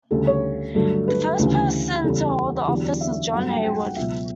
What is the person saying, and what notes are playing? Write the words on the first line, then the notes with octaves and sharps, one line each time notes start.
The first person to hold the office was John Haywood.
D2 C#3 G3 A4
C#5
G2 D3 F#3 A3
B4
D2 C#3 E3 G3
E2 C#3 G3 A4
E2 D3 F#3 G4
D5
E5
G2 F#3 A3 F#5
G5
F#5
G5
F#5
C#2 B2 F#3 E5